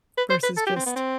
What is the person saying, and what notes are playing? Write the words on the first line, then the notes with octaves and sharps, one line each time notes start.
versus just,
B4
C5
B4
A4
G4
C4
B3
C4